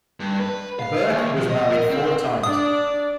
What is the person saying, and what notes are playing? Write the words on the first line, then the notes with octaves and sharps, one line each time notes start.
Burke was married four times.
G2
B4
F5
D#2
F3
D#5
A#4
C4
D4 D5 D#6